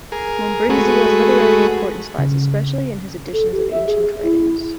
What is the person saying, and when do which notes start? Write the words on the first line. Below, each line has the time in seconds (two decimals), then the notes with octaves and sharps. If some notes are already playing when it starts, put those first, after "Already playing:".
Mombrizio's literary importance lies especially in his editions of ancient writings.
0.12 G#4 A#4
0.70 G#3 A3 F#4 G#4 B4
2.19 C#3
3.33 A4
3.52 G4
3.71 E5
3.87 G#4
4.23 E4